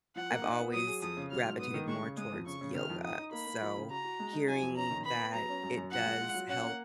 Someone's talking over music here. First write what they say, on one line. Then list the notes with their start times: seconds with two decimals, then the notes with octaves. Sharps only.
I've always gravitated more towards yoga. So, hearing that it does help,
0.16 F3 F#5
0.30 A#3
0.44 D#4
0.59 B3
0.73 F#3 D#6
0.87 G#4
1.02 F2 D#6
1.17 C#3
1.31 F#3 F6
1.45 G#2
1.60 B3 D#6
1.74 D#3
1.88 G#3 C#6
2.02 C#3
2.17 G#3 D#6
2.32 F2
2.46 C#3 C#6
2.61 C#3
2.75 D#3 F6
2.90 F2
3.04 D#4 D#6
3.19 D#4
3.32 A#3 B5
3.46 A#3
3.61 F3
3.76 C#3
3.90 F#4 A#5
4.04 F#4
4.19 G#3
4.33 D#4
4.48 F#3 G#5
4.62 F2
4.76 C#4 A#5
4.91 D#3
5.05 B3 B5
5.20 B3
5.33 F#3 A#5
5.49 C#4
5.63 F#2
5.77 F#2
5.91 F3 F#5
6.05 G#3
6.21 F4
6.34 F#3
6.49 C#4 F#5
6.63 A#3